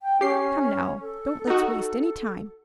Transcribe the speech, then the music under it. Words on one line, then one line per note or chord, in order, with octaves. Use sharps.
Come now, don't let's waste any time.
G5
C#4 G4 C7
A4
D#4 F#4